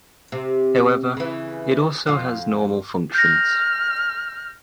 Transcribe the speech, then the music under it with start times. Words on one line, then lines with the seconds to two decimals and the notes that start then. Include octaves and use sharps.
However, it also has normal functions.
0.32 C3
1.17 C#3 E3
2.07 F2 F4
3.14 F6 G6 A#6